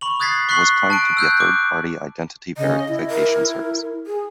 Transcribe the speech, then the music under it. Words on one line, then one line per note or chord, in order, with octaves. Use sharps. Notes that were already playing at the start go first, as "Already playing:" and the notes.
It was claimed to be a third-party identity verification service.
B5 C#6 F#7
D#6 F#6 G#6 A6 B6 C7
C#6 F#6 B6 C7 F#7
A5 F#6 D7
E6 F#6 G6
D6
C#3 D#5
E4
A#4
G#4